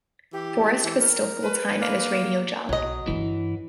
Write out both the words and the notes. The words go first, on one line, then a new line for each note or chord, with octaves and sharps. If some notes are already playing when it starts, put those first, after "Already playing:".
Forrest was still full-time at his radio job.
E3 G4
E3
A#4
B4
A#3
B1 F#3 D#5
G2 E3 C#4